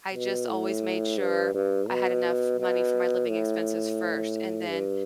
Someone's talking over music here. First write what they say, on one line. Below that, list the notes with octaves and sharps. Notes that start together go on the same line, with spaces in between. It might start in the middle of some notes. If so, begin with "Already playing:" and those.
I just always made sure I had enough money for my living expenses first and then
B2
A2
G2
G2
B2
B2
A2
G2